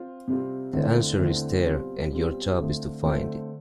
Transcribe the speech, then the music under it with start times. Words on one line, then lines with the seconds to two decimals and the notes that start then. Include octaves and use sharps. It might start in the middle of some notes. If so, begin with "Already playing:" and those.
The answer is there, and your job is to find it.
Already playing: C4 F4
0.27 C3 G3 C4 F4
0.73 E2 D3 A3 C4
1.19 E2 D3 A3 C4
1.65 B2 G3 C4 F4
2.11 B2 G3 C4 F4
2.57 D3 A3 C4 F4 C5
3.03 D3 A3 C4 F4 C5